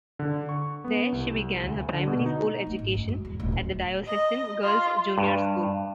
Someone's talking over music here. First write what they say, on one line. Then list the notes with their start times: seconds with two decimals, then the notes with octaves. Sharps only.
There, she began her primary school education, at the Diocesan Girls' Junior School.
0.19 D3
0.49 C#6
0.84 B3
1.12 C2
1.63 D2
1.93 D3
2.08 B2
2.26 D#4
2.67 A3
2.79 G#1
2.94 F#2
3.09 G#3
3.25 E2
3.40 D1
3.52 C#4
4.07 D#5
4.63 F4
5.18 G2